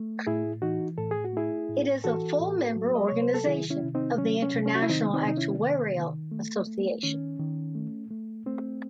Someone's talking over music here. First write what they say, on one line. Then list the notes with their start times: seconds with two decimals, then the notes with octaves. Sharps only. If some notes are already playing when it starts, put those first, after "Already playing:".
It is a full member organization of the International Actuarial Association.
Already playing: A3
0.27 A2 E4 G#4
0.62 E3 D#4 F#4
0.98 A2 A4
1.11 G#4
1.25 F#4
1.33 A3 E4 G#4
1.69 A2
2.04 E3 F#4 A4
2.40 A2
2.76 F#3
2.95 D#5
3.08 C3 C#5
3.21 C5
3.34 A4
3.47 D#3 E4 G#4
3.70 C#4 E4
3.83 C3
3.95 C4 D#4
4.18 F#3 C#4
4.42 C#4
4.54 C3
4.66 C#4
4.75 F#4
4.83 E4
4.89 D#3 C4 D#4
5.14 C4 D#4
5.25 C3 D#4
5.37 C#4 E4
5.61 D#3
5.97 D#3
6.32 A3
6.67 A3
7.03 D#3 C#4
7.39 D#3
7.75 A3
8.10 A3
8.46 A3 C4